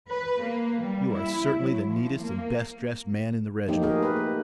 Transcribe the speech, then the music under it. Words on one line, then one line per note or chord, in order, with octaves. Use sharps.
You are certainly the neatest and best dressed man in the regiment.
B4
A#3
G3
E4
F#3
F3
A#3
F3 A3 A#3 D#4 G4
F#4 G#4 A#4
G4 B4
A#3